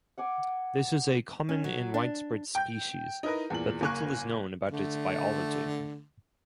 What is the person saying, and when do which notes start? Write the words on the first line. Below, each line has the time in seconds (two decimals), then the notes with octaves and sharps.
This is a common and widespread species, but little is known about its biology.
0.18 F#5 G#5 D6
1.49 C#4
1.64 F#3
1.94 D4
2.55 G5 G6
3.23 D#4 E4 A#4 B4
3.50 E2 A#2 F#7
3.81 F#1 A#3 G#5 C#6 F#6
4.72 D3 A3